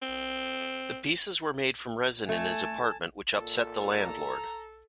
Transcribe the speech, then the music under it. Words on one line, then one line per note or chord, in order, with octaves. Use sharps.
The pieces were made from resin in his apartment which upset the landlord.
C4
A3 G#5 A5
A#2 A4
A#5